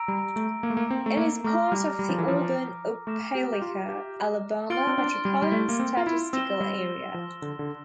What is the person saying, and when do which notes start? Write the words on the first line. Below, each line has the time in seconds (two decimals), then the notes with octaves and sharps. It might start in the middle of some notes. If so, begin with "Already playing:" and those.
It is part of the Auburn-Opelika, Alabama Metropolitan Statistical Area.
Already playing: A#5 E6 A#6 D7
0.08 G3
0.36 A3
0.63 A#3
0.70 A3
0.77 A#3
0.91 C4
1.06 A3
1.17 A#3
1.44 A3 A#5 D6 F6 A#6
1.72 G3
1.99 G3
2.09 F3
2.18 E3
2.28 F3
3.07 A3 D6 F6 A#6 E7
3.35 G4
3.53 G4
3.62 F4
3.89 G4
4.70 F4 C6 F6 A6 D7 G7
4.87 C4
4.98 D4
5.25 G3
5.42 G3
5.52 A3
5.69 A#3
5.79 C4
5.97 F4
6.07 E4
6.33 C4 E6 A#6 E7 G7
6.60 G3
7.14 F3
7.42 D3
7.59 D3